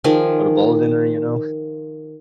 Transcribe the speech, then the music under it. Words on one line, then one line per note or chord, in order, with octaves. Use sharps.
put a bullet in her, you know?
D#3 F3 G#4 G#5